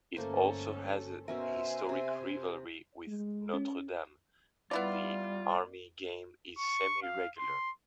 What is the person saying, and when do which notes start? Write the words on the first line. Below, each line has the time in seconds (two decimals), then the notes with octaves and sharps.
It also has a historic rivalry with Notre Dame; the Army game is semi-regular.
0.16 G1 A3 A#3 C#4 A4 C5
1.28 B2 C#4 A#4 C5 E5 G#5
1.89 C3
3.07 G#3
3.53 C#4
4.71 G3 B3 E4 F4 D5
6.58 C#6
7.03 F5
7.39 C6